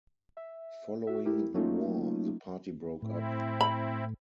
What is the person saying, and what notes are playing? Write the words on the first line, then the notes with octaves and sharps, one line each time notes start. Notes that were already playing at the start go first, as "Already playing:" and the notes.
Following the war, the party broke up.
E5
F#4 E5
A3 E4 G4 A#4
F#3 A3 A#3 C#4 D#4 F4
A2 C4 E4
B5